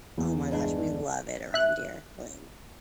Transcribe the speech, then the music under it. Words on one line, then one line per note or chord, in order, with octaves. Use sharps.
Oh my gosh, we love it around here. Like
E2
G2 G#3 D4
E5 F#6